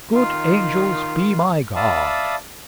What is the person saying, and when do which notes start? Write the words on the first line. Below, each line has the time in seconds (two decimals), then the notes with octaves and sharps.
Good angels be my guard!
0.15 D#3 F4
1.76 D5 E5 F5 A5 B5 D#6